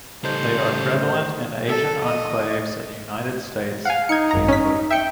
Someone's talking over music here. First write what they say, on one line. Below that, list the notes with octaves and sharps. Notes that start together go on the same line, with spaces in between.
They are prevalent in Asian enclaves in the United States and Canada.
A2 C#3 G3 D#4 A4 C5
A4
D#5
F5 F#5 G#5
D#4 G#6 C#7
G#1 F#2 A#5
C#4 B6
E5 G5 C#7